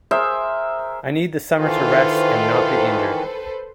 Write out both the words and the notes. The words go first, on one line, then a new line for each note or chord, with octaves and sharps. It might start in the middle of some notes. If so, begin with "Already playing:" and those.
I need the summer to rest and not be injured.
G#4 A#4 C5 E5
D#3 E3 F4 A4 B4 C5